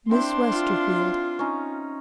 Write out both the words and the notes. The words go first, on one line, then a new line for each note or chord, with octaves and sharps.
Miss Westerfield.
C4 D4 E4 G5 C6
F4
C#4 D#4